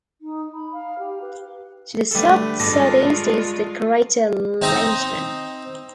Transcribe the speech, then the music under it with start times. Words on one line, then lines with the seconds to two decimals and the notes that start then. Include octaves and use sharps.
To the south-southeast is the crater Langevin.
0.21 D#4
0.53 B5
0.72 F5
0.99 G4
1.21 B4
2.11 D3 G3 A3 A4 B4
2.59 G2 G#3 F4 A4 D5 A5 A#6
4.62 C4 D#4 C5 A#5